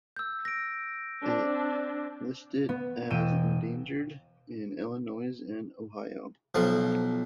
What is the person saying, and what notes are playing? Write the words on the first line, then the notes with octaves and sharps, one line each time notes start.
It listed as endangered in Illinois and Ohio.
E6 G6
A#6 D7
C4 D4
B3
E1 G5 E6 D#7 E7
B1 F3